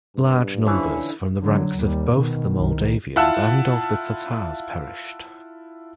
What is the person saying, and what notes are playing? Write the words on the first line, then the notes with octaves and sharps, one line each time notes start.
Large numbers from the ranks of both the Moldavians and of the Tatars perished.
G2
D3 E3 F3 C#4 E4
D3 F#3
D#2 G3
B2 D#3
C2 D#3
E4 F4 E5 F#5 A5 E6